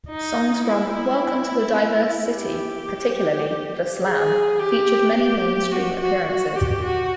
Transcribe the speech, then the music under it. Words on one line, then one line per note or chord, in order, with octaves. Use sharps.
Songs from "Welcome to Diverse City", particularly "The Slam", featured many mainstream appearances.
D#4
E4
E4
G4
G#4
G4
G4
F#4
F#4
F#4
G4
F#4